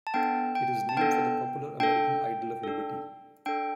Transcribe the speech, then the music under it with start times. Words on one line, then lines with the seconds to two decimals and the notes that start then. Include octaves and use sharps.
It is named for the popular American ideal of liberty.
0.07 A5
0.14 B3 D4 A4 G5
0.55 G5
0.89 A5
0.97 B3 D4 A4 G5
1.80 D4 A4 G5
2.64 D4 A4
3.46 D4 A4 G5